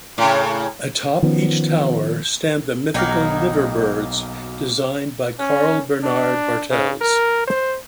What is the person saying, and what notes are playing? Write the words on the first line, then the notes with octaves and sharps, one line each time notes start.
Atop each tower stand the mythical Liver Birds, designed by Carl Bernard Bartels.
A2 C#3
D#3 F3 B3 C#4
B1 F#3 A#3 D#4 G5 F6
C#4
D4
C#3
A#4
C5